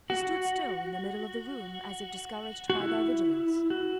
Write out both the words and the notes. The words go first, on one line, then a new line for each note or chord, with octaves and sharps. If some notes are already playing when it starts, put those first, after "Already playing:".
He stood still in the middle of the room as if discouraged by their vigilance.
F#4
F#4
E4
F#4